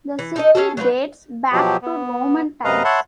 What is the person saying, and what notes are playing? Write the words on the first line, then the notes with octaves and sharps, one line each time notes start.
The city dates back to Roman times.
E3
D#4 A4 D#5
C#4 D4 G#4 A4
F#3 D#4 F4 B4
B2 F3 F#3 G4
B3
F#2 C3 B4 D#5 F5 A#5
C#5 E5 F#5 A5 B5 C6